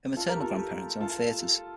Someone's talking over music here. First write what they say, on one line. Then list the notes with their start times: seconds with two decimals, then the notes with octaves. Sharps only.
Her maternal grandparents owned theatres.
0.17 F4 A4
0.28 G4 A#4
0.40 F4 A4
1.01 F4 A4